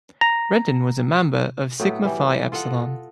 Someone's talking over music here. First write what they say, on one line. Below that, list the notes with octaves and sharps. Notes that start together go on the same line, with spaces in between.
Brandon was a member of Sigma Phi Epsilon.
A#5
A2 F#3 B3
E3 G3
F4 A4 D#5 F#5